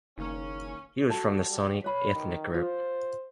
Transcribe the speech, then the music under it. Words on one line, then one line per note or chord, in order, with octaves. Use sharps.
He was from the Soninke ethnic group.
F#1 D#3 A#3 C#4
F#4 A4 A5
G3
B4 C#5 B5
D#3
F4 C5